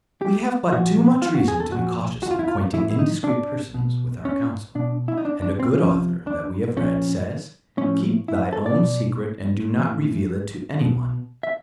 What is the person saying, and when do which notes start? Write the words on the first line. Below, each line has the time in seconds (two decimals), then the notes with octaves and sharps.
We have but too much reason to be cautious of acquainting indiscreet persons with our counsel; and a good author that we have read, says, Keep thy own secret, and do not reveal it to any one.
0.21 G4
0.72 A#2 F3 F#4
1.22 F4
1.35 F#4
1.48 G#4
1.60 A4
1.72 A#2 F3 F#4
2.23 F#4
2.31 F4
2.39 E4
2.48 F4
2.73 A2 E3 E4
2.91 E4
2.99 D#4
3.24 D4
3.74 B2
4.25 C#4
4.75 B2 D4
5.08 E4
5.18 D#4
5.25 D4
5.42 D4
5.60 C4
5.76 C3 F3 C#4
6.27 D4
6.77 A#2 F3 C#4
7.77 A2 F3 C#4
8.28 E4
8.53 A4
8.66 D5
8.79 B2
9.79 E3
9.84 A2
10.80 B2
11.43 E5